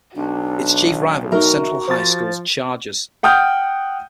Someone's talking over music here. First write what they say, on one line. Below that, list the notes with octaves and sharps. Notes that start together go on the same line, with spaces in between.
Its chief rival was Central High School's Chargers.
B1 D4
D#4 F#4 A#4 E5 A#5
F3 C5 A6
F#5 G5 D#6 F6 G6